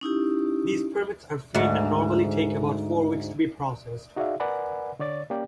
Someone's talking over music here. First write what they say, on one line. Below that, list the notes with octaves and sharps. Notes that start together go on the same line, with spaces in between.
These permits are free and normally take about four weeks to be processed.
C#4 D#4 E4 G4
D2 G#2
D#4 F#4 G#4 D5 E5 F5
A#4 B4 D5 F#5 G#5 B5
D3 C#5 D5 A6
A#3 C#4 G4 D5 G5